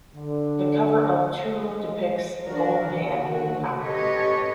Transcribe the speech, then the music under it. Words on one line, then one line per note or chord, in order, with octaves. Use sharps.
The cover of "Two" depicts a golden hand holding an apple.
D3
G#3
E3 D4 F#4 A#4
F#4
C#4 G4 A4 B4 C#5 D#5